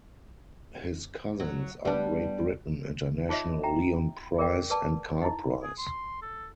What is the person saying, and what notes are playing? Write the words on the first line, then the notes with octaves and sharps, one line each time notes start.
His cousins are Great Britain International Leon Pryce and Karl Pryce.
F#3
G3 B3 D4
D#4 F4 G#4 C#5 D#5 E5
E5 G5 A#5
G#4 A#4 D5 G5
G#4 B4 D5 A5
D#4 E4
G#4
C6
A4